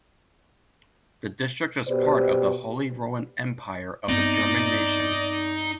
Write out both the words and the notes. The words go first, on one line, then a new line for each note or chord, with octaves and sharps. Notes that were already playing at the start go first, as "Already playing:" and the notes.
The district was part of the Holy Roman Empire of the German nation.
B2 G4 B4 C5 D5
G2 B3 C4 D#4 D5